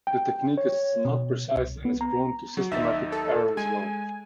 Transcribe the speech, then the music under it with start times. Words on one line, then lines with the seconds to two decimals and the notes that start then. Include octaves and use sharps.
The technique is not precise and is prone to systematic error as well.
0.07 G5
0.58 C#5
1.05 B2
1.56 C2
1.85 B3
2.01 A#5
2.57 F#3
2.71 D#2 D#4 E5 A6
3.12 A4
3.57 G#3 G#5